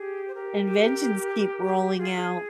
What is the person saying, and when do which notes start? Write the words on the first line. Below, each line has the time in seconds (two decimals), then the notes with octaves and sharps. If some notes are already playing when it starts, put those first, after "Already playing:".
inventions keep rolling out.
Already playing: G4 G#4
0.28 C5
0.35 G4 A#4
1.98 F4 G#4
2.16 G#4